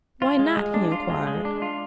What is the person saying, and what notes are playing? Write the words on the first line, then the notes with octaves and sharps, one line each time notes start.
'Why not?' he inquired.
F4
G#3
G#3
D4
F4
G#3
G#3
D4
F4